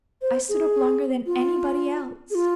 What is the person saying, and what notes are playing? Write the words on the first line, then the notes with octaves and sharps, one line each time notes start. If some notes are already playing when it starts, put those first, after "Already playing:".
"I stood up longer than anybody else."
C5
G#4
F4
G#4
F4